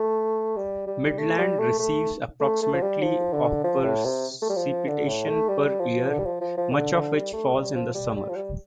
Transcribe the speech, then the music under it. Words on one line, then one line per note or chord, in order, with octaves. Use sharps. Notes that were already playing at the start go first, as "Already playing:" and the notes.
Midland receives approximately of precipitation per year, much of which falls in the summer.
Already playing: A3
G3
G3
A3
G3
A3
A3
A3
A3
F3
G3
F3
D3
F3
A2
C3
A3
G3
F3
D3
A2
A3
G3
F3
D3
G3
F3
F3
F3
D3
D3
G3
A3
G3
F3
G3
G3
F3
G3